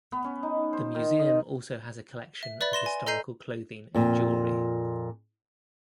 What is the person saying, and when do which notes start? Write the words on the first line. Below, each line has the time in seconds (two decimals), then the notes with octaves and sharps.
The museum also has a collection of historical clothing and jewellery.
0.12 B3
0.24 C#4
0.43 D#4
0.73 C5
0.95 D#3
1.19 D#5
2.43 E5
2.61 B4 D5 E5 B5 A6
2.73 C6 A#6 E7 G7
2.86 G#5
3.06 A4 D#5 A#5 G6 C7 D#7
3.94 F2 A#2